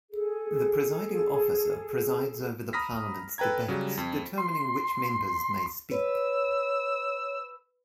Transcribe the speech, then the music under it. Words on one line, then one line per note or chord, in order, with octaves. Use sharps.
The Presiding Officer presides over the Parliament's debates, determining which members may speak.
G#4 A4
A#5 B5 D#6 F6 A#6 B6
A4 B4 G5 A#5 G#6
C#3 F#3 G3
F2
C6
B4 C#5 E6